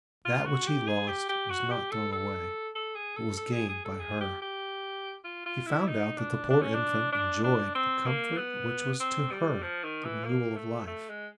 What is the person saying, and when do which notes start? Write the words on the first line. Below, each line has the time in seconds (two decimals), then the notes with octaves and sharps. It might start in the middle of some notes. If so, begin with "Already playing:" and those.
That which he lost was not thrown away, but was gained by her. He found out that the poor infant enjoyed the comfort which was to her the renewal of life.
0.25 F4
0.46 F#4
0.67 G4
0.87 G#4
1.08 G4
1.29 G4
1.50 F#4
1.71 G4
1.91 A4
2.12 A4
2.75 A4
2.95 G#4
3.16 A4
3.37 A4
3.53 G#4
3.69 G#4
3.85 A4
4.00 G#4
4.21 G4
4.42 G4
5.24 F4
5.46 F4
5.66 E4
5.87 D#4
6.18 D4
6.50 D4
6.62 C#4
6.74 D4
7.12 D4
7.44 D4
7.75 C4
8.06 A#3
8.37 B3
9.00 C4
9.31 G3
9.62 F3
9.83 D#3
10.04 E3
10.25 A#3
10.56 A3
10.87 A3
11.09 G#3